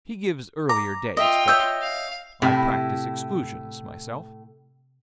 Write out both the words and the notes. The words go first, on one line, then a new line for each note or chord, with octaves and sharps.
He gives earlier dates, but I practice exclusions, myself.
A#5 D6
F4 D#5 E5 G5
C#5 D#5 E5 E6 G6
F5
A2 C3 E4